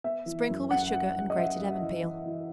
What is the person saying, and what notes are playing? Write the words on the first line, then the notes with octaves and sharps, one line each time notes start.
Sprinkle with sugar and grated lemon peel.
B3 E5
E3
F#2
F#2 F#5
F#2
F#2
D#5
F#2 E5
F#2
E3
E3
E3